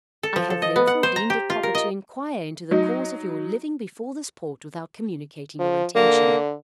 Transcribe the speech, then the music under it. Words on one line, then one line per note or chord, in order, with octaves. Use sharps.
I have therefore deemed it proper to inquire into the cause of your living before this port without communicating your intention.
A4
F3
A4
D#5
B3
F#5
C5
A#5
G4
F4
A#4
D#5
F#3 D#4
F3
D3 A#3